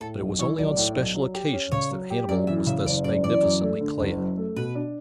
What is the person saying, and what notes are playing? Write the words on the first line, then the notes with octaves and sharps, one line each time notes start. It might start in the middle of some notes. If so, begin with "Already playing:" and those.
But it was only on special occasions that Hannibal was thus magnificently clad.
A2 A4
B1
E3 C#5
B1 D5
A2
B1
F#3
G4
C#4
C#3 C#5
F#3
G4
F#2 D5
E3 E5
C#3 E5
F#1 D5
F#2 D5
E3 D5
F#2
A3
D3
F#1
F#2
A3
B2 B4
D4